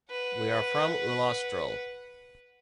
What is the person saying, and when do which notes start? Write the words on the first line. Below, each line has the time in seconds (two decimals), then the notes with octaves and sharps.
We are from Ullastrell.
0.11 B4 F#5